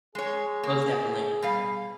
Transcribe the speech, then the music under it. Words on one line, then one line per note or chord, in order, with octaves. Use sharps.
most definitely.
G#3 G#4 C#5
A#3
B2 G3 F5